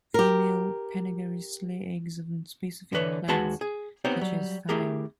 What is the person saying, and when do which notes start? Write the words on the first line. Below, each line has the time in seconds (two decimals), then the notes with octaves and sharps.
Female "Phengaris" lay eggs on specific plants such as thyme.
0.14 G4 A#4
2.93 D3 E3 B4 C#5
3.28 D#2 G#3 F#4 B4 A5 C6
3.61 G#4
4.05 B3 C4 D#4 G4 C5 C#5
4.21 F#3 G3
4.69 A3 E4 G4 G#4 A#4